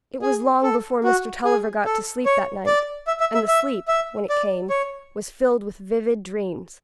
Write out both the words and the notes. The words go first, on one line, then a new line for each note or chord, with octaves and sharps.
It was long before Mr. Tulliver got to sleep that night; and the sleep, when it came, was filled with vivid dreams.
G#4
A4
F#4
G#4
A4
C#5
D5
E5
E5
E5
E5
E5
D5
C#5